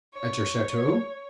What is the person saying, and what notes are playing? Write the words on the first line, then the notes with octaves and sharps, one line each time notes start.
"At your chateau."
C#5